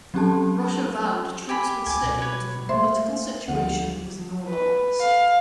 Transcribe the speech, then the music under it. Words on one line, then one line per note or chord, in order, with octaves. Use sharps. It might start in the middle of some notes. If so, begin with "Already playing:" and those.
Russia vowed troops would stay until the political situation was "normalised".
F#3 C4 C#4 G4 A4 A5
G4 G#5 B5
C#2 G#5 D6
B2
B4 C#5
A3 A#3 C5 E5 C6
D2 D3 F3 F#5
B4
F5